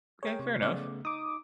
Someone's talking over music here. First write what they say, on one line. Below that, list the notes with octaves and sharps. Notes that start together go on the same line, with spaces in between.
Okay. Fair enough.
G#4 A#4 C#5 G5
C3
C#3 A3 B3 D5
D#4 D6 D#6